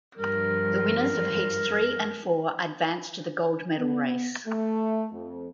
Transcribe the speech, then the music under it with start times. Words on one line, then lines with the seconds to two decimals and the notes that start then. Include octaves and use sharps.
The winners of heats three and four advanced to the gold medal race.
0.18 G2 F3 A#4
3.78 B3
4.46 A3
5.12 F2